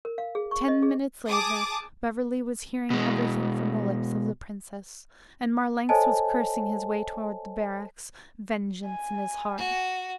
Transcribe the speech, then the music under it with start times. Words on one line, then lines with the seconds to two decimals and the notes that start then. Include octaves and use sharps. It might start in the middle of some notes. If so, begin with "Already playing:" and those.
Ten minutes later Beverly was hearing everything from the lips of the princess, and Marlanx was cursing his way toward the barracks, vengeance in his heart.
0.05 A#4
0.18 F5
0.35 G#4
0.51 C#6
0.68 D#5
0.82 G#4
1.28 G#4 A5 D6 D#6
2.90 B2 G#3
5.89 A4 C5 C#5 D#5 G#5 A5
8.85 G#5
9.58 F#4